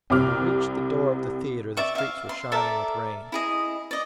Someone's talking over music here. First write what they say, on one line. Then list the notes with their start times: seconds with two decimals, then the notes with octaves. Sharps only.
When we reached the door of the theater, the streets were shining with rain.
0.10 C2 C3 D6 F6
1.77 D5 E5 C#6
1.95 E5 F5
2.29 C6
2.52 A4 A#4 D5 E5
3.32 E4 G#4 D#5
3.91 D5 D#5